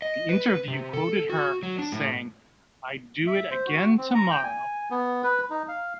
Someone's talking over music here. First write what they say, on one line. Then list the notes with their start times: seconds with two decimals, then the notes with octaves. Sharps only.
The interview quoted her as saying, I'd do it again tomorrow.
0.02 D#5
0.29 B4
0.68 C3
0.93 A4
1.30 F#4
1.63 F#3
1.79 D4
1.92 A2
3.27 E5
3.51 C5
3.67 F#4
3.98 C4
4.15 A#5
4.31 G5
4.44 G#5
4.91 B3
5.23 B4
5.50 D#4
5.68 F5